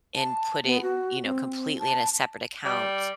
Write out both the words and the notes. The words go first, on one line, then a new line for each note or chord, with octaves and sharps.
and put it, you know, completely in a separate account
A5
B3
F#4
C4
A5
G3